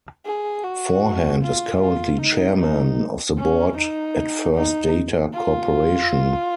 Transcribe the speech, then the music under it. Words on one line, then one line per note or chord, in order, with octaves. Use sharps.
Forehand is currently Chairman of the Board at First Data Corporation.
G#4
F#4
F4
F4
D#4
D#4
C#4
D#4
D#4
F4